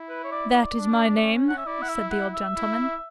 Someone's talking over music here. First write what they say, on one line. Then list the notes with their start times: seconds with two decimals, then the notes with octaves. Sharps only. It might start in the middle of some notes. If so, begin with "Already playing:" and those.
'That is my name,' said the old gentleman.
Already playing: E4
0.09 B4
0.24 C#5
0.31 D5
0.54 D5
0.77 D4
1.22 C#4
1.49 F#5
1.57 E5
1.66 E4 D5
1.82 F#5
1.89 E5
2.11 F#5
2.34 E5
2.57 E4